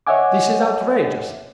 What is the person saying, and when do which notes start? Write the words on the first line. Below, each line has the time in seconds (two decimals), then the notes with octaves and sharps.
This is outrageous!
0.07 C#5 D#5 E5 F#5 G#5 D6